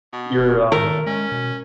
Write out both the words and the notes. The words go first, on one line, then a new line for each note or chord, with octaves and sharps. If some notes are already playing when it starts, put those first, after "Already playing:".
you're, um,
B2
E1
D#3 A3 A#4
G#3 C#4
B2